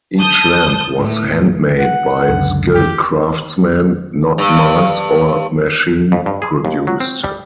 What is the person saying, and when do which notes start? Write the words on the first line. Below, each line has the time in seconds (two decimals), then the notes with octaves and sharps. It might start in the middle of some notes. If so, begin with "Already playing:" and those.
Each lamp was handmade by skilled craftsmen, not mass- or machine-produced.
0.19 A5 D#6 G6
1.00 A2
1.79 F#5
2.29 C#2 F#2 D3
2.74 G4
4.38 G2
6.12 F2
6.26 G2
6.42 G#4
6.65 D#2
6.87 F#3
7.00 C4
7.24 G3